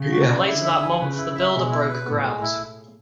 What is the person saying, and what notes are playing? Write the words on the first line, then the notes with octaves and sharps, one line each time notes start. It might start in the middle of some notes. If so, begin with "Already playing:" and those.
Later that month, the builder broke ground.
Already playing: C#3
F#4
D5
D3 E4
E5
G#5
C#3 B4
E4
E5
B2 G#3
E4
B4
A2 B3
G#3
E4